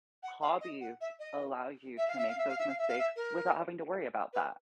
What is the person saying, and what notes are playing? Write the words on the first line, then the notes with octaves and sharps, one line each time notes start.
hobbies allow you to make those mistakes without having to worry about that.
F#5
F5
D#5
F#5
E5
D#5
E5
F5
E5
F5
E5
F5
E5
F5
E5
F5
E5
A#4
B4